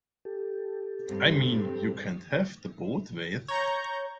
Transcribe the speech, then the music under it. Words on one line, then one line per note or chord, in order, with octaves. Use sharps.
I mean, you can't have it both ways.
G4 A4
G2 C4
C#5 A#5 C#6 G6